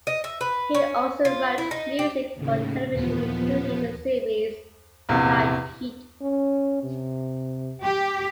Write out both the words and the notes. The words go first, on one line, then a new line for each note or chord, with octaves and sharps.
He also wrote music for television including the series "Night Heat".
D#5
E5
B4
C#4
F4
E4
D#4
G4
D#2 A2 C#3
D#2 A#2 E3 F3 B3
A#1 E2 C3
C#4
C3
G4